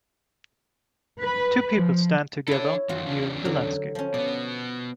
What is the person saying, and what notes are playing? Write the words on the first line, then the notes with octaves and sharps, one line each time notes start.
Two people stand together viewing the landscape.
B4
F3
D4 E4 A4 C#5
F#2 D#3 E3 F4 F#4
E2 C#4 D4
D3 F#3
F3 C#4
B2 B3 D5